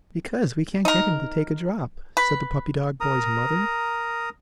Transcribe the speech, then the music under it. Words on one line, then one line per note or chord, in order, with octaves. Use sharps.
"Because we can't get him to take a drop," said the puppy dog boy's mother.
D#4 A#4
B4
A#4 A#5 D#6